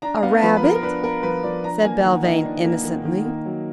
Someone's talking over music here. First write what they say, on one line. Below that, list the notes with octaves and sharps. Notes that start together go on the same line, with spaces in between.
"A rabbit?" said Belvane innocently.
D4 A#5
B3 F5
F3 B4
B4
F3 A#4
A#4
D4 B4
B3 A#4
F3 B4
F3 D5
D4 A#5
A#3 G#5
D#3 F#5
D#3 D#5
D4
A#3
D#3
D#3
A#3
F#3